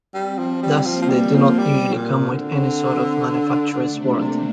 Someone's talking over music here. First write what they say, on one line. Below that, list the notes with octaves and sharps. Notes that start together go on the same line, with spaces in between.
Thus, they do not usually come with any sort of manufacturer's warranty.
G3 C4
F3
G3
F3 A#3
F3
G3
F3
G3
A#2
D3 C4
D4
D3 A3
C3
A#3
C3